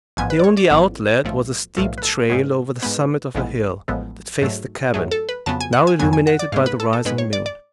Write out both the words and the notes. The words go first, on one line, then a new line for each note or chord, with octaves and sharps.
The only outlet was a steep trail over the summit of a hill that faced the cabin, now illuminated by the rising moon.
A1 G#2 F3 B3 G#5
B4
D5
C#5
D5
A1 G#2 F3 B3
B1 A2 F3 A3
B1 A2 F3 A3 F5
B4
A4
G#2 G#3 B3 C#5
G#2 G#3 B3 B4
A1 A2 F3 G#3 B3
A1 A2 F3 G#3 B3 A4
G#2 F#3 A3
G#2 F#3 A3 G#4
A4
B4
F2 C#3 F#3 B3 A5
G#5
F#5
G#5
F2 C#3 F#3 B3 G#5
G#5
F#5
D5
G#2 G#3 B3 F5
B4
A4
A4
G#2 G#3 B3 B4
C#5
D5
D5